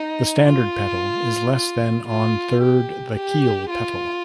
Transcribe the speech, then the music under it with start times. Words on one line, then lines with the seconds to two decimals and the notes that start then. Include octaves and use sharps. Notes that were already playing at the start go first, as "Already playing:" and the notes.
The standard petal is less than on third the keel petal.
Already playing: D#4
0.49 F4
1.56 F4
2.09 F4
2.63 G4
3.16 G4
3.70 F4